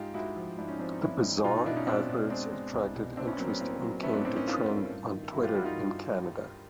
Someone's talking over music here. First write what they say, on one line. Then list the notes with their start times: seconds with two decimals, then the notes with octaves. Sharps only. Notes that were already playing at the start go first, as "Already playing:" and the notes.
The "bizarre" adverts attracted interest and came to trend on Twitter in Canada.
Already playing: G#2 G#3 F4 G4
0.14 G#3 E4 F#4
0.36 F3
0.58 G#2 D4 E4
0.68 C#4 D#4
0.79 F3 C4 D4
0.92 D#4
1.01 F3 D4 E4
1.22 G#2
1.44 B2 D#4 F4
1.54 D#4 F4
1.65 B2 D4 E4
1.76 C#4 D#4
1.87 B2 C4 D4
2.09 B2
2.30 G#3 C4 D4
2.51 G#3
2.73 C2 D4 E4
2.95 B2
3.17 A3 C4 D4
3.27 B3 C#4
3.39 F#3 A#3 C4
3.49 B3 C#4
3.60 A2 A#3 C4
3.81 F#3
4.03 A3 B3 C#4
4.13 C4 D4
4.25 A2 C4 D4
4.36 C#4 D#4
4.47 A2 D#4 F4
4.68 A3
4.90 G2
5.11 D#3
5.32 G2 E4 F#4
5.43 F4 G4
5.55 G3 E4 F#4
5.65 D#4 F4
5.76 G2